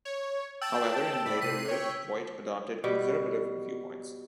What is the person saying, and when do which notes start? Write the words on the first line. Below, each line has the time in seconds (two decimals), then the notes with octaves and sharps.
However, in later years, Voight adopted conservative viewpoints.
0.05 C#5
0.62 G5 A5 E6
1.26 A2 D5 B5
1.42 C3 B6 C7 D#7
1.68 C#5 G5
2.84 B2 G3